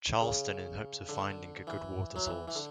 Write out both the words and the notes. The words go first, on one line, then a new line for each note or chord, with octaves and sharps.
Charleston in hopes of finding a good water source.
C#3
D3
E3
F#3
E3
E3
D3